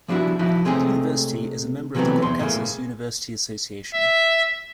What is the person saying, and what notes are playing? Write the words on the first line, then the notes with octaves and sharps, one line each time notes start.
The university is a member of the Caucasus University Association.
F3 G3 D4 E4 F#4
F3 D#4 E4 F#4 E5
C3 G#3 A3 C4 C#4 G#4
C3 E3 F#3 A3 B3 C4
E2 C6
A2 C#3 A3 A#3
E5